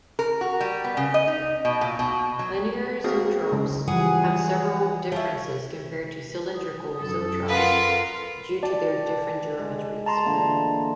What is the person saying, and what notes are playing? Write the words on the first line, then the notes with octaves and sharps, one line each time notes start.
Linear zoetropes have several differences compared to cylindrical zoetropes due to their different geometries.
A#4
F#4
G3
B3
C#3
D#5
D#4
B2
A#2
B2
F#3
A#3 C4 F#4 G#4 A#4
C#3 G#3
E3 F3 G3 G#4 B4 F#5
F3 E4 C#5
D#6
F#2 A4
F4 A#4 B4 F5 F#5
D5 G5 A5
G#3
A5 A#5 C6
A#2 D3 E3